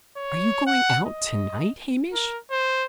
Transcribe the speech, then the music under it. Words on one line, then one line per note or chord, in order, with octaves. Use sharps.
"Are you going out to-night, Hamish?"
C#5
F#5
D#5
A#4
C5